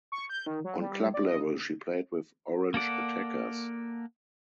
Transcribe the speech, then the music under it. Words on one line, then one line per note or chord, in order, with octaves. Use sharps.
On club level she played with Orange Attackers.
C#6
G6
D#3
F#3
G3
D5
D#5
A#3 A4 D5 F#5